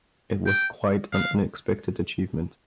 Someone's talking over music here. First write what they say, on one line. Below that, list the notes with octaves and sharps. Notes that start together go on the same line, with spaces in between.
It was quite an unexpected achievement.
G5
F5